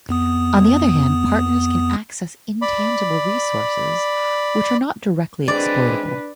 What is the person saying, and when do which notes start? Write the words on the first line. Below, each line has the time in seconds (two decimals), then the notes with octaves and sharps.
On the other hand, partners can access intangible resources, which are not directly exploitable.
0.09 F2 B3 D#6
2.62 D5 B5
5.48 G#3 C4 D4 B4 D5